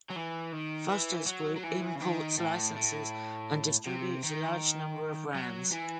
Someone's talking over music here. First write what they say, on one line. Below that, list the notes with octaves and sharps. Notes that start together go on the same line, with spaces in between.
Foster's Group imports, licenses, and distributes a large number of brands.
F#3
E3
D#3
E3
F#3
F#3
E3
C#3
D#3
A2
A2
C3
D#3
F#3
E3